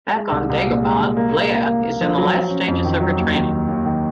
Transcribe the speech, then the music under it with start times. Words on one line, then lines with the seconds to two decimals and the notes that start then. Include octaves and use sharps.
Back on Dagobah, Leia is in the last stages of her training.
0.16 G#3
0.32 C2
0.50 C2
0.66 A#2
0.83 G#3
1.00 C2
1.17 A#3
1.33 A#3
1.50 A#3
1.67 A#3
1.84 A#3
2.01 F3
2.18 F#3
2.34 F#3
2.50 C#4
2.68 F2
2.85 D#3
3.01 F#3
3.19 D#2
3.35 D#3
3.52 D#2
3.68 D#2
3.85 D#3